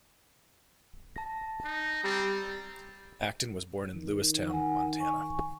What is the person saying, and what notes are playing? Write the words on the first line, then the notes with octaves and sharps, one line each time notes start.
Acton was born in Lewistown, Montana.
A5 A#6
D#4
G3 C4 A#5 A6
D#3
F#5 G#5
G#5 C#6